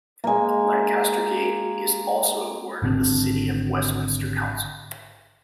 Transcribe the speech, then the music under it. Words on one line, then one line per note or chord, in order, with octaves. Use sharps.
Lancaster Gate is also a ward of the City of Westminster Council.
G#3 A#3
G#1 D3 C4